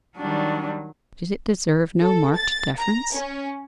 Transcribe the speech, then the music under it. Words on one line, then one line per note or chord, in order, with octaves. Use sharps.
Did it deserve no marked deference?
D#3 F#3 G3 D4
A4
A6
A#5
C#4